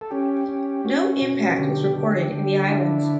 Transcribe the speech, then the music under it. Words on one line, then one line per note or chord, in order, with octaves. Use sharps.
No impact was reported in the islands.
A4
C#4 G4
C#4
C#4 F#4
B2
D3 G4
D3
D3 G4
D4 E4